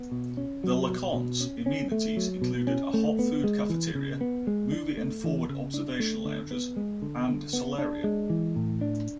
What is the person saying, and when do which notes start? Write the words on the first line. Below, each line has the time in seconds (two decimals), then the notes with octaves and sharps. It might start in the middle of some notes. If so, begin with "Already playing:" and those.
The "LeConte"s amenities include a hot-food cafeteria, movie and forward observation lounges, and solarium.
Already playing: B3
0.12 B2
0.37 C#4
0.64 F#3
0.89 B2
1.14 B2
1.40 C#4
1.66 C#4
1.92 A3
2.17 F#3
2.42 B2
2.67 C#4
2.94 A3
3.19 B3
3.44 G#3
3.70 E3
3.95 C#3
4.21 B3
4.47 G#3
4.72 D4
4.97 A3
5.24 E3
5.49 C#3
5.74 D4
6.00 A3
6.25 D3
6.51 B3
6.76 G#3
7.02 D3
7.28 D3
7.53 B3
7.78 D4
8.04 G#3
8.30 E3
8.56 A2
8.81 D4